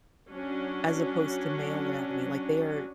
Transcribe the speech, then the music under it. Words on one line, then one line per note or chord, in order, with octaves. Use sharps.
as opposed to male anatomy, like, their
F#3 C#4 D4